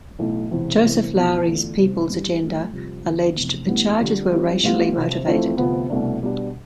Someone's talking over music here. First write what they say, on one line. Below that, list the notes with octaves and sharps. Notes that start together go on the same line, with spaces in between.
Joseph Lowery's People's Agenda alleged the charges were racially motivated.
B1 A2 E3
E1 E2 C3 E3
E2 C3 E3
F1 E2 B2
E2 D3 A3 D4 F4
E2 C3 E3
G2 E3 G3
A2 F3 A3
F2 C3 G3
E2 D3 F3 B3
F1 E2 C3
A1 A2 G3 B3 D4
F2 D3 G3 D4
F2 E3 G3 C4 F4
A1 A2 G3 B3 F4
F2 C3 F3
F2 E3 A3 C4 F4
D2 C3 F3 B3
C2 B2 A3 D4
B2 G3 D4